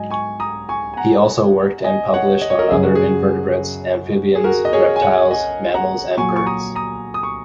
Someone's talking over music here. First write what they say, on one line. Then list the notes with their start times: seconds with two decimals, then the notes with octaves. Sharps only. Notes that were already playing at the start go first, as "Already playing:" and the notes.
He also worked and published on other invertebrates, amphibians, reptiles, mammals and birds.
Already playing: G#2 F#3 D#5 G#5
0.11 G#5 C#6
0.40 A#5 D#6
0.69 G#5 C#6
0.94 G#5
0.97 F#5 A#5
1.84 D#5 G#5
2.14 C#5 F#5
2.42 D#5
2.50 C#5
2.59 A#4 D#5
2.70 F#2 C#3 F#3 G#4
2.83 F#4
2.95 G#4
4.35 G#4
4.44 F#4 A#4
4.65 D#5
4.73 G#4 C#5
4.96 G#5
5.02 C#5 F#5
5.31 D#5 G#5
5.75 F#5 A#5
6.17 A#2 F#3 G#5 C#6
6.36 C#6
6.46 A#5 D#6
6.75 A#5 D#6
7.14 D#6
7.23 C#6